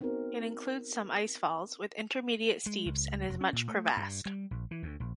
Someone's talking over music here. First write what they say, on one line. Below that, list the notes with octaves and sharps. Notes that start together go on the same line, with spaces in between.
It includes some ice-falls, with intermediate steeps, and is much crevassed.
B3 C4 D#4 F#4 A#4
G#3
C#2
F1
C#4
A#2
A3
G2
G3
A#1
E3
D2
A#1